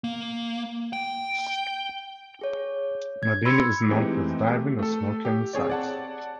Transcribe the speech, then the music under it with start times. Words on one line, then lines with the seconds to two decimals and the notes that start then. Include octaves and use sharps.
Mabini is known for its diving and snorkeling sites.
0.04 A#3
0.93 G5
2.41 G#4 C#5
3.23 G#6
3.45 B5 C6 E6 G#6 C#7
3.89 E3 G#3 A3 C4 D#4 G4
4.48 A3 G4
4.79 A3 A4
5.25 G4
5.53 C4 G#4 C#5 D5
5.70 D5 F#5 A5